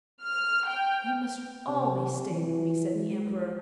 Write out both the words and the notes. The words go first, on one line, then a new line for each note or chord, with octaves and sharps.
"You must always stay with me," said the Emperor.
F6
G5
C3
E3
G#3